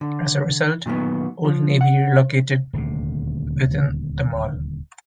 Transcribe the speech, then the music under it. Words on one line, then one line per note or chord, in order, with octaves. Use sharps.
As a result, Old Navy relocated within the mall.
D3
A#2 D#3 F#3 B3
F3
F#5
D#1 D2 C3